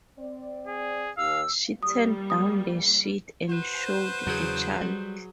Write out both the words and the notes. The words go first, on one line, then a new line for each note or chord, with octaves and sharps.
She turned down the sheet and showed the child.
C4 D5
G#4
D#2 F5 E6
G3 A#3 D#6
D#6
F#4 B4 C5
E2 C#3 F#3 G#4
G3